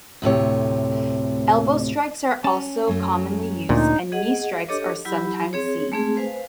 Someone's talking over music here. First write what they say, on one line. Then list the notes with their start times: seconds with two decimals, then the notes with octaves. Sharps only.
Elbow strikes are also commonly used, and knee strikes are sometimes seen.
0.22 D2 A2 C3 C#5
2.44 C#4 A5
2.87 F#2 F#3 A3
3.69 D2 A#2 D4 D#4
4.12 G#4 D#5 F#5
4.68 D4 G4 A4 C#5 D#5 D6
5.05 F#3 E4 G4 B5
5.53 C4 G#4 C#5
5.92 G#3 A3 C4 G#4
6.17 B4 C5 F5 G#5